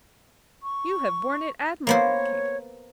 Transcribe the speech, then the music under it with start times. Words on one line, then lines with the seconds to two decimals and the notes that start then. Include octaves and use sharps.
You have borne it admirably, Katy.
0.63 C#6
1.87 A#3 B3 C5 C#5